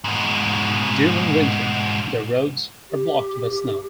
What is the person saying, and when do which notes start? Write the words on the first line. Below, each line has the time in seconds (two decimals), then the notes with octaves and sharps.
During winter, the roads are blocked by snow.
0.04 G#2 B2
2.90 G4